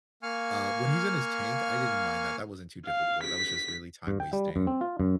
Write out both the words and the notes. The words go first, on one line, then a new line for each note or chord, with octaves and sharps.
Uh, when he's in his tank, I didn't mind that, that wasn't too difficult, that was just really time wasting.
A#3 F5 G#5 C#6 F6
F5
B6
G2
G5
G3
F#2
C4
F4
F#2